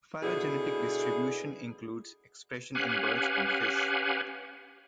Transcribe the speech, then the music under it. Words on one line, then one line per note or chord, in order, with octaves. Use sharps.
Phylogenetic distribution includes expression in birds and fish.
B2 D3 E4 G#4
C#4 G4 B4 F5 F#5 G#5